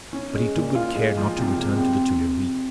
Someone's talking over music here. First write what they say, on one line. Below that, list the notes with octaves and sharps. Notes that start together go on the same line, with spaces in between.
But he took good care not to return to the Tuileries.
C#4
G#3
A#2
F4
G#3
F3
C3
C3
C4